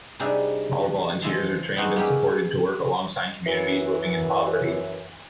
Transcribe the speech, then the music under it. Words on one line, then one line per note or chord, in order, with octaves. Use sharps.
All volunteers are trained and supported to work alongside communities living in poverty.
C3 G3 D4 D#4 G#4 E5
E3 F3 E4 D#5 A5 C6
B3 C4 D#4 F#4 G#4
A#3 B3 C#4 E4 G4 G#4
F#2 E3